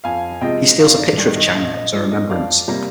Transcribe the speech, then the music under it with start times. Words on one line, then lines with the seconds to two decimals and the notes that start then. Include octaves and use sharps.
He steals a picture of Chang as a remembrance.
0.04 F2 F5 G#5
0.41 C3 F3 G#3 D#5 G5
0.79 G1 D5 F5
0.98 D5
1.17 G2 D#3 D5
1.36 D#5
1.54 A#1 D#5
1.74 D#5
1.92 G#2 F3 D5
2.11 D#5
2.29 F2 D5 F5
2.68 C3 G3 A#3